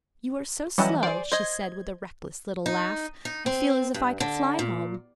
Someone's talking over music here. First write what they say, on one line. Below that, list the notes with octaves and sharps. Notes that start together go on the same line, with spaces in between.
"You are so slow," she said with a reckless little laugh; "I feel as if I could fly home."
E3 F#3 G3 C#4 E4 D#5
G#4 C5 D5
C5 D#5 G#6
D#4
D#4
C4
G2
D3
A#2